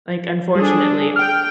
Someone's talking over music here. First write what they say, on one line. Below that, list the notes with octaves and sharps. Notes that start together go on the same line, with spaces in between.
Like, unfortunately I
G3 D4 G#4 A4
G5 F6